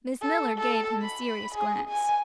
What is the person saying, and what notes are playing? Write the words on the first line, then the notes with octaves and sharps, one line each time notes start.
Miss Miller gave him a serious glance.
A4
A4
B5
G#4
G#5